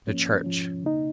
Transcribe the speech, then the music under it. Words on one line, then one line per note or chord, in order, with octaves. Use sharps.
The church...
G#2 F3 A#3 C#4
G#2 F3 C#4
C#3 A#3 D#4